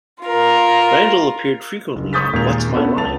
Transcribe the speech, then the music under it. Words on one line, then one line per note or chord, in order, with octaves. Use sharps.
Randall appeared frequently on What's My Line?
F4 A#4
F#1
C6 C#6 D#6 G6 A6 B6
D#2 A#2 G#3 A#3 G#6 F7
B3 C#4 D4 A4
C#2 A5 A6 F7